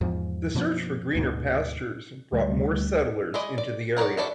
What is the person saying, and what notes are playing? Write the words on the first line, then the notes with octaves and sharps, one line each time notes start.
The search for greener pastures brought more settlers into the area.
E2 G#2 F3
F#2 B2 F3 A#3
D2 G#2 B2
D2 G3
G#3 E4 D5 D#5
D5
F#4 A#4 B4 C#5 D5
D4 E4 F#4 A4 D5